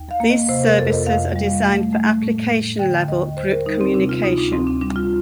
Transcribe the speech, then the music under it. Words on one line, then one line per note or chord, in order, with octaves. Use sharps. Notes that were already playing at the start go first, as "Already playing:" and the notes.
These services are designed for application-level group communication.
Already playing: D#2
F5
A#3
D#5
C3 C5
A#4
F2 A4
D#5
F2 F5
G3
A3
A3
A2
A2
D3 G5
D#2 D#5
D#2 C5
A#4
G3 D#4
C4
C3 D4
F4
D2 D#4
D4
D2 C4
D4
G3 D4
F4